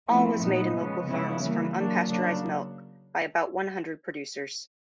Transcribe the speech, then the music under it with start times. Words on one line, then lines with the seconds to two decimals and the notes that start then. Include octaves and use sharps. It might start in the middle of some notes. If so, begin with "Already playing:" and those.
All was made in local farms from unpasteurized milk by about one hundred producers.
0.08 F3 A3 C4 E4
0.41 A#2 F#3 B3 D#4
0.74 C#3 F3 G#3 B3
1.07 C#3 F3 G#3 B3 E4
1.40 E3 G3 A#3
1.74 F#3 A#3 D4
2.07 C#3 F#3 A#3 D4